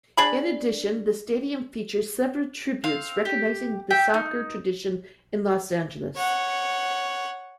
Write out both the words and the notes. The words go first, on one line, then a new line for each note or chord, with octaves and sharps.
In addition, the stadium features several tributes recognizing the soccer tradition in Los Angeles.
D4 G#4 B5
C4 F5
G4
G4 E5 G5
D#4
C#5 F#5